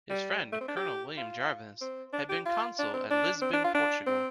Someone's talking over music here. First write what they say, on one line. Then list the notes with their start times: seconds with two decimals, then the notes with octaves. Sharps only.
His friend, Colonel William Jarvis, had been consul at Lisbon, Portugal.
0.10 G3
0.52 A3
0.61 C4
0.68 D4
0.76 G4
1.17 F4
1.81 C4
2.13 D4
2.29 G4
2.46 F4
2.79 D4
2.94 C4
3.11 D4
3.42 C4
3.54 D4
3.64 F4
3.75 D4
4.06 C4